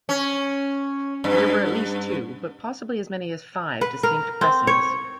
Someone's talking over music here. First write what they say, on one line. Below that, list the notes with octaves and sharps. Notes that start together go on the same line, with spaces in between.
There were at least two, but possibly as many as five, distinct pressings.
C#4
G2
B4
A#4
C4
C#5